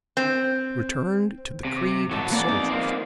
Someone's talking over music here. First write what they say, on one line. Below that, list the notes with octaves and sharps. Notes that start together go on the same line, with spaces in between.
He returned to the creed of soldiers.
C4
C3
G#2 D#3 E3 F#3 A4
F2 E3 A#3 D5 F#5
B3 D#4
A#3 C4